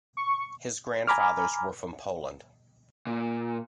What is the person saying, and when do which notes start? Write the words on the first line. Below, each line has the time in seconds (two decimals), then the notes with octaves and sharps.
His grandfathers were from Poland.
0.17 C#6
1.07 G#5 A#5 B5 D6 F6
3.07 A#2